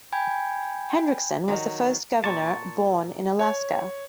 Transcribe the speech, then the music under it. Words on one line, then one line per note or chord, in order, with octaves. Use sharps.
Hendrickson was the first governor born in Alaska.
G5 G#5 B5 G6 G#6
D#3 F#3
A#2 A5 C#6
C#5